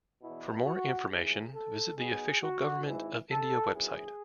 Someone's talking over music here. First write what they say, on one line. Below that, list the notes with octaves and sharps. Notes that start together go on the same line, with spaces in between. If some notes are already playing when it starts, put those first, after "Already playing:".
For more information visit the official Government of India website.
E2 B2 E4
F#4
D#2 C#3 E3 G#4
A4
B1 B2 G#4
F#4
G#1 G#2 E3
A4
G#1 F#2 E3 G#4